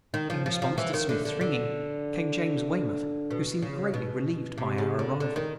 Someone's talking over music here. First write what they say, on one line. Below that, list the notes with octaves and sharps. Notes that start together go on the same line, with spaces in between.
In response to Smith's ringing came James Weymouth, who seemed greatly relieved by our arrival.
D#3
F3
F3
F3
E3
D#3
D3
D3
D3
B2
C#3
B2
C3
C#3
D3
D3
D#3